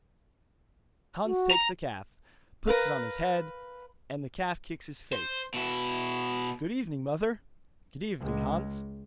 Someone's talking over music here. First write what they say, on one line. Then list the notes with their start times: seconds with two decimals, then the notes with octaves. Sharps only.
Hans takes the calf, puts it on his head, and the calf kicks his face. 'Good evening, mother.' 'Good evening, Hans.
1.25 F#4
1.51 A#5
2.67 A#4 B4 F5
5.13 C5
5.54 B2 E4
8.20 C#2 G#3